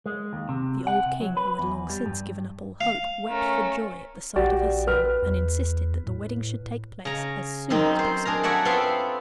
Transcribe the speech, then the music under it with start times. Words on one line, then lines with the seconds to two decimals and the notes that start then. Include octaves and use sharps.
The old king, who had long since given up all hope, wept for joy at the sight of his son, and insisted that the wedding should take place as soon as possible.
0.06 G#3
0.33 D#2
0.49 C3
0.87 F#5
1.05 C3
1.21 F#3
1.37 B4
1.59 E2
1.90 G3
2.06 G2
2.81 F5
3.29 A3 C#4 A#4
4.36 A#1 F#4 G4 D5
4.87 B4 F6
5.22 E2
6.06 A2
7.05 C#3 A#5
7.70 F#2 D#3 C4 D#4
7.99 C5
8.25 D4 G#4 A#4 A#5
8.43 F#4 A4 C#5 D5 E5 F#5
8.65 B3 C4 F4 E5 F5